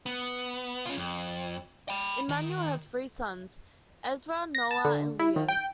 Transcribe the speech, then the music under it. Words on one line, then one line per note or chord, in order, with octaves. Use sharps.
Emanuel has three sons, Ezra, Noah, and Leo.
B3
C#4 F4
F2
G5 B5
D#3
A#6
A5
D3
E4
D#3
G5